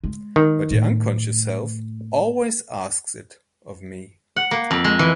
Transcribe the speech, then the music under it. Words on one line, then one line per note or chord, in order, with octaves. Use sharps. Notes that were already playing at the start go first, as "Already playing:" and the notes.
But your unconscious self always asks it of me.
G#3
D#3
A2
F#5
A#3
F2
G#3
E3